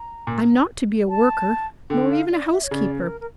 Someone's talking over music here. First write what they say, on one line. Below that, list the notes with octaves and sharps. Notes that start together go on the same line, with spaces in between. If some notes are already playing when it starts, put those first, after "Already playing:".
I'm not to be a worker, nor even a housekeeper.
Already playing: A#5
A#2
A5
D3 G5
F5
D5
E5
C#5
C#3 D5
A#4
A#4